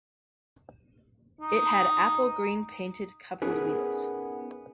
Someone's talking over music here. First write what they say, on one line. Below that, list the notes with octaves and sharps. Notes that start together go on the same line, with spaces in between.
It had apple green painted coupled wheels.
D#4
B3 C#4 D#4 G#4 A#4 B4